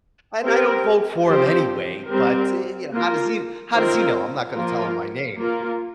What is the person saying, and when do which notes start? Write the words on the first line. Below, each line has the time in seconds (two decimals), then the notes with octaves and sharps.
And I don't vote for him anyway, but, eh, you how does he how does he know? I'm not gonna tell him my name,
0.44 C4 G4 A#4
1.26 F3 C4 G4 C5
2.09 G3 C4 G4 A#4
2.91 A#3 F4 A#4
3.73 D#3 C4 F4 A#4
4.55 F3 A#3 F4 A#4
5.38 A#3 F4 A#4